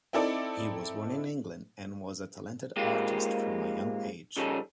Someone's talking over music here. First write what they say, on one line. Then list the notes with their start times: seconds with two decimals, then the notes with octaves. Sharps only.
He was born in England and was a talented artist from a young age.
0.13 C4 D#4 E4 A4 D5
2.76 G#3 A#3 C4 D#4 F4 G4
4.36 C#3 F3 G3 C#4 D#4 A4